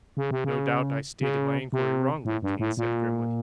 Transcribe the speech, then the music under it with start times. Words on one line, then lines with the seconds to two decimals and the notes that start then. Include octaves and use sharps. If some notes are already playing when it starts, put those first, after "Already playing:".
"No doubt I stated my inquiry wrongly," Kane said grimly.
0.17 C#3
0.31 C3
0.44 C#3
1.21 C#3
1.73 C3
2.25 A2
2.42 G2
2.59 A2
2.77 A#2